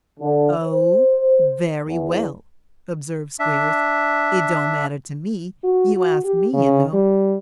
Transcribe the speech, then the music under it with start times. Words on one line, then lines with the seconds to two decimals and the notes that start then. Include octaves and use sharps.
'Oh! very well!' observed Squeers, 'it don't matter to me; you asked me, you know.
0.20 D3
0.64 C5
1.88 E2
3.40 D4 E5
5.64 F#4
5.96 F#4
6.25 G4
6.53 C#3
6.93 G3